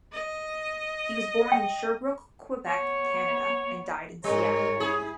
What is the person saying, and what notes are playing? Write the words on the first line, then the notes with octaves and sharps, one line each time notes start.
He was born in Sherbrooke, Quebec, Canada and died in Seattle.
D#5
G5
B3 C#5
G#2 G3 A#4 C#5
E4 G#4